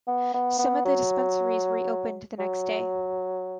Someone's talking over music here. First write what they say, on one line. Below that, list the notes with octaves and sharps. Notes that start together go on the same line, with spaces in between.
Some of the dispensaries reopened the next day.
B3
B3
B3
F#3
F#3